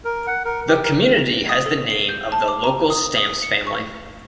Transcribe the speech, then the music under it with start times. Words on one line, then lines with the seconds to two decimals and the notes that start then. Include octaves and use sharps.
The community has the name of the local Stamps family.
0.05 A#4
0.27 F#5
0.45 A#4
0.68 G4
0.83 A#4
1.49 D#6
1.66 A4
1.90 C7
2.09 G6
2.32 A5
2.48 D6
2.64 A#5
2.90 D#6
3.17 D#6
3.42 C#7
3.67 C#6